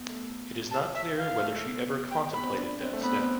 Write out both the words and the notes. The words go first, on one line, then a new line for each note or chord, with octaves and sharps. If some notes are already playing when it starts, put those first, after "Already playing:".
It is not clear whether she ever contemplated that step.
Already playing: B3
A3
A5
E5
F5
A3
A3
B3
G5
B3 B5
C4
D4
C4
A3
B3 B5
C4